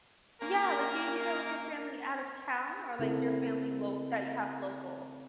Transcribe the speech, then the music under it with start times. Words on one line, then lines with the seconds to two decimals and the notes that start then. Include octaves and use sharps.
Yeah, like, do you do that with your family out of town or, like, your family lo that you have local?
0.42 A#3 C#4 A#4
2.99 C#3 A3 C4 E4 A4 A#4